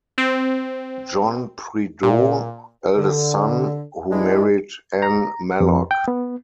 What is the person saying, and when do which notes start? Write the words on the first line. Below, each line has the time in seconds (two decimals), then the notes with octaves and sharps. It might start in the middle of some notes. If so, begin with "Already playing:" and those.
John Prideaux, eldest son, who married Anne Mallock.
0.18 C4
2.03 A#2
2.97 D3
4.10 E3 G3 G#3 D4 E4
5.02 A#5
5.61 F2
5.91 G5
6.08 B3